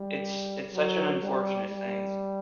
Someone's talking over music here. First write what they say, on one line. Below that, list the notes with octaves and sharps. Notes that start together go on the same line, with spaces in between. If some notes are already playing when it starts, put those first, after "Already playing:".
it's it's such an unfortunate thing.
Already playing: G3
F#3
G3
G3